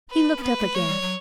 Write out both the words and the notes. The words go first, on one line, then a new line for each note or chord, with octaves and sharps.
He looked up again.
B4
C#4
B3 B4
A3
A3 C#5
G3
F#3